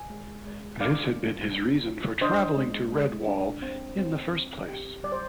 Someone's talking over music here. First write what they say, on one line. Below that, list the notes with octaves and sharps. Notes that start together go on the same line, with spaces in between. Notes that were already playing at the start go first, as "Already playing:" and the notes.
This had been his reason for travelling to Redwall in the first place.
Already playing: G#5
G#3
G#3
D4 D5 F5
A#3
D4
F4
D4 C5 D#5
G#3
G#3
D4
C4
C4
C4
G4
G3 D5
C5